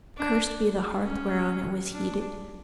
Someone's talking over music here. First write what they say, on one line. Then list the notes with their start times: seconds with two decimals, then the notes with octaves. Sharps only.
Cursed be the hearth whereon it was heated!
0.17 D4
1.04 C#4
1.91 D4